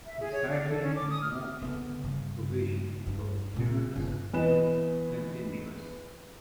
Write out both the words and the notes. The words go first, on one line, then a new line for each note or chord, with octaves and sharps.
The cycling and walking provision is both generous and continuous.
E5
G#4
C#5
D5
A4
C#4
D6
D#6
F6
D3 B3
G2 C#3
G2
A#2 G#3
G1
E2 E3 B4 D#5 E7